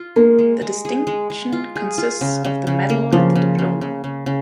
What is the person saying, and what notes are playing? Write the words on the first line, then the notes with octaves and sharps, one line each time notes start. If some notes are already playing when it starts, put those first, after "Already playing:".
The distinction consists of the medal and the diploma.
Already playing: F4
G#3 A#3
G#3
G#3
G#4
G#3
G#3
F4
G#4
F4
C#3
C#3
C#3
A#3
C#3 F3
C#3
C#3
C#3
C#3
C#3